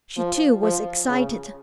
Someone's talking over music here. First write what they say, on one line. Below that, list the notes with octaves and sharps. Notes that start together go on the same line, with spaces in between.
She, too, was excited.
F3
F3
C#3